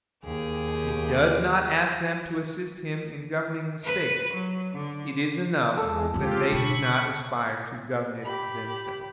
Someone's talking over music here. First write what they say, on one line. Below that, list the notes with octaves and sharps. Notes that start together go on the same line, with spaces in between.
He does not ask them to assist him in governing the State; it is enough that they do not aspire to govern it themselves.
D#2 G4 G#4
B4
F#3
D3
E2 G#3 A4
D3 G#3 C4 F4 G4
B2 D3 B5 C#6
G4 B5